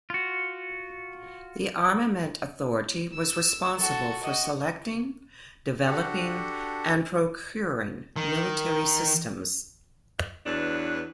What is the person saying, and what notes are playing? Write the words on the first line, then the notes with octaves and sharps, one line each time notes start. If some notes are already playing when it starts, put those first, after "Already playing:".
The Armament Authority was responsible for selecting, developing, and procuring military systems.
F4 F#4
E6
F#4 A4
F#4 D#5
D4 F#4 G4 A4 F#5
D#3
E2 F#3 D4 B4